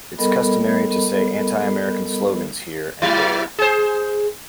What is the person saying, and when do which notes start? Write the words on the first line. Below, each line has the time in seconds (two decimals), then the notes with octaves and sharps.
It's customary to say anti-American slogans here and there.
0.18 G3 B3 A4 A#4 D#5 B5
3.02 F#3 E4
3.59 G#4 C5